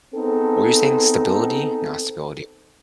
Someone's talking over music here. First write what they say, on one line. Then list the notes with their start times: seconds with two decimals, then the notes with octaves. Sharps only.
What were you saying, stability? Not stability
0.15 B3 C4 D#4 G#4 A4